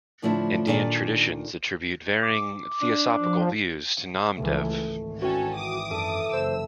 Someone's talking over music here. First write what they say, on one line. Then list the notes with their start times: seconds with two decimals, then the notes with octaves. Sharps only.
Indian traditions attribute varying theosophical views to Namdev.
0.22 A2 D3 F3 A3 D4 E4
0.67 A#2 D#3 D4 A4 D5
2.23 D6
2.82 D4
3.20 F3
4.37 C#2 E3 A3
4.83 G#1
5.21 E3 C#4 F#4 A4 G5
5.56 D6 D#6
5.90 F#2 A4 E5 A5
6.33 F#1 C5 E6